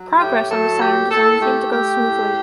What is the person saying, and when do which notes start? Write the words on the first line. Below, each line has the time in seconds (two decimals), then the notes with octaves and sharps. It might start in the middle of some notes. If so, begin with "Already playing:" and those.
Progress on the Saturn design seemed to go smoothly.
Already playing: F#3
0.20 A2 G4
0.50 F#3 A4
0.81 A2 G4
1.11 A2 A4
1.41 A3 G4
1.71 A3 G4
2.02 A2